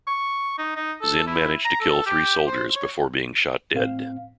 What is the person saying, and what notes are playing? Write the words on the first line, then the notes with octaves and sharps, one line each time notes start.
Zin managed to kill three soldiers before being shot dead.
C#6
D#4
D#4
A4
E4
A#5
A4
G4
C5
C#5
A2 C4 F5